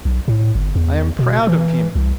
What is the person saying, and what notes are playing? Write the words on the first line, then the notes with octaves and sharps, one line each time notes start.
I am proud of him.
B1
A2
G1
E2
B2
E3
C2